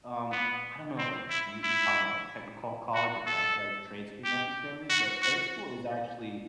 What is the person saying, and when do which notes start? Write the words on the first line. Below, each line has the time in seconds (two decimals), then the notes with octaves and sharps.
um, I don't know if, like you you were talking about, like, technical college, if that's, like, trade school, necessarily, but trade school is actually,
0.32 B3
0.98 C4
1.30 E4
1.63 E4
2.95 F#4
3.26 A4
4.25 G4
4.90 F#4
5.22 F#4